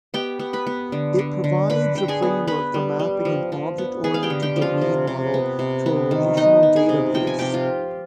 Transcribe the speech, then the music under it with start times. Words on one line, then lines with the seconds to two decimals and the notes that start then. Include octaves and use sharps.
It provides a framework for mapping an object-oriented domain model to a relational database.
0.14 B3 G4 G5
0.39 B3
0.53 B4 B5
0.67 B3
0.92 D3
1.19 D3
1.44 D3
1.70 D3 B4 B5
1.95 D3 G5
2.08 G#4 G#5
2.22 B3
2.47 B3 B4 B5
2.74 G3
2.99 G3
3.25 F3
3.52 F3
3.78 B3
4.04 B3 G#4 G#5
4.14 F5
4.23 G4 G5
4.30 D3
4.42 G4 G5
4.56 F3
4.62 F4 F5
4.81 C3
5.07 C3
5.34 B3
5.59 C3
5.86 B3
6.11 D#3
6.37 B3 D#4 D#5
6.63 B3
6.76 G#4 G#5
6.89 C3
7.15 F3 G5
7.27 G#5
7.39 C3 G4 G5
7.54 F4